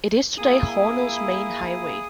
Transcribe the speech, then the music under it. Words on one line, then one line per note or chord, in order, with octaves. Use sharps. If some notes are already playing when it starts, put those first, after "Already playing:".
It is today Hornell's main highway.
A#3 E4 G#4 D#6